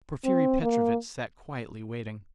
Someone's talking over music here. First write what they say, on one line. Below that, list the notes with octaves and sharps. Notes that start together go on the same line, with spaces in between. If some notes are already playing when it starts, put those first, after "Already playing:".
Porfiry Petrovitch sat quietly waiting.
C4
A#3